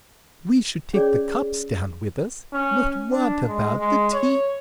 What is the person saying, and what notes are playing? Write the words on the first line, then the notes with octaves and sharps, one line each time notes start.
"We should take the cups down with us: but what about the tea?"
C#4 G#4 C#5 D5
C#4
D4
G#3
G#3
C#5